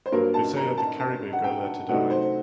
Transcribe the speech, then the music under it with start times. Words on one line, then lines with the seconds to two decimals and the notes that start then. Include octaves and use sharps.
They say that the caribou go there to die.
0.06 C5
0.12 G2 F#3 A#3 A#4
0.34 A5
0.57 A#5
0.77 A5
1.00 A5
1.33 F#5
1.44 G5
1.89 C3 F#3 A3 D#4 F#5
2.10 C5